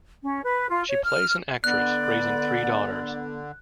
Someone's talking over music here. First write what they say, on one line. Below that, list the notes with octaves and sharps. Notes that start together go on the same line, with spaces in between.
She plays an actress raising three daughters.
C#4
B4
F4
C#5
F6
D3 B3 D5 F#6